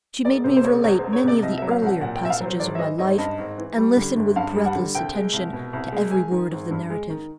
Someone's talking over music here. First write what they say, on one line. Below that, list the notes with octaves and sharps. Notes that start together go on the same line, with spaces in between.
She made me relate many of the earlier passages of my life, and listened with breathless attention to every word of the narrative.
E1 D5
C3 C5
C5
E1 C#5
E2 C#5
C5
E1
C#5
C3 D5
C2 D#5
E5
F#3
F5
C2 F#5
A#2 F#5
G5
C2 E5
F5
F#3 C5
G#1 D5
E5
E3 D#5
G#1 D#5
G2 D#5
G#1
E3
G3
D3
G1
G2 F5
G3
F#5
D3
C2 G5
G#3
C2
B2
C2
G#3
G#3 G#5
D#3
G#1
G2
G#3
D#3